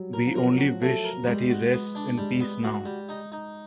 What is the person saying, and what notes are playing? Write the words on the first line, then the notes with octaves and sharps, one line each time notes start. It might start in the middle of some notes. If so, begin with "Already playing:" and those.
We only wish that he rests in peace now.
Already playing: F#3 G3
A#4
F3
F#3 A#4
F#4
A3
A#4
G3 G#3
F#4
B3
D4
G3 G#3
B3
F#4
G3
D#4
D#4